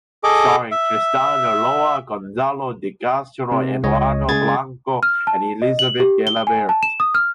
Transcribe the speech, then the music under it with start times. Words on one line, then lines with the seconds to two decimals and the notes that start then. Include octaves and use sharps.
Starring Tristán Ulloa, Gonzalo de Castro, Eduardo Blanco and Elisabet Gelabert.
0.24 G#4 A4 D#5 D6
0.71 E5
3.52 C3
3.84 C#2 C#5 D#5
4.29 C#3 G#3 G#4 G#6 A6
5.03 F6
5.27 A5
5.62 D#5
5.79 F#7
6.00 G4
6.27 G7
6.47 G#5
6.69 A5
6.83 E7
7.00 D#6
7.15 F6